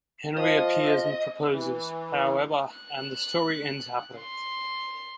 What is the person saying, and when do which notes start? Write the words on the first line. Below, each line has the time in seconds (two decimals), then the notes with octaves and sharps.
Henry appears and proposes, however, and the story ends happily.
0.37 F3 D#5
1.52 E3
2.75 F#6
4.17 C6